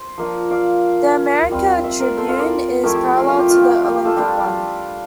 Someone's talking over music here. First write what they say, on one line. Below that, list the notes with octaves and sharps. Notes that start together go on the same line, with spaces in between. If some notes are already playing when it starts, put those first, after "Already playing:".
The "America" Tribune is parallel to the" Olympic" one.
Already playing: C5
F3 A#3 D4
D5 F5
G3 C4 F4
C5 E5
A#4 D5
A4 C5
F4 A4
A#4 D5
F3 A3 E4 G4 A#4
G4
G4
F4
F4
G4
F4
G4
G4
G4
F4 A4
G3 D4 F4 G4